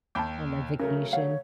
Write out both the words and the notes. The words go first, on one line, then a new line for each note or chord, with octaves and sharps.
on, like, vacation.
D#2 G5 A5 B5 D6 G6
C#3 F#3 A3 C#4 A#4
C#5 F5 F#5